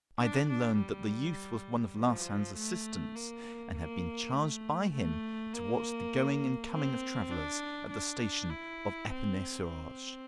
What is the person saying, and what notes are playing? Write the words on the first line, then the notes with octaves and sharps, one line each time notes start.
I then learned that the youth was one of Larsan's assistants and had been charged by him to watch the going and coming of travellers at the station of Epinay-sur-Orge.
D4
D4
G3
F3
A3
A#3
A#3
A3
A3
A#3
C4
D4
D4
E4
C4
C4